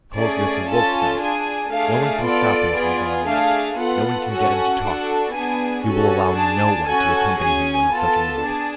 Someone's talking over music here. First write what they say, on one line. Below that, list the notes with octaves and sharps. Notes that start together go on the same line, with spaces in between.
He calls this a 'wolf night.' No one can stop him from going out; no one can get him to talk; he will allow no one to accompany him when in such a mood.
A3 C#4 G#4 D5
C#4 F4 A4 A5
D4 G#4 G#5
A3 D4 G#4 F5
B3 F4 A4 D5
B3 F4 G#4
A3 D4 G#4 F5
B3 F4 A4 F#5
C#4 F#4 A4 F#5
D4 F#4 A4
B3 D4 G#4 G#5
C#4 F#4 A4
D4 G#4 A5
C#4 F#4 A4 G#5
C#4 G#4 G#5
B3 F4 A4 A5
D4 G#4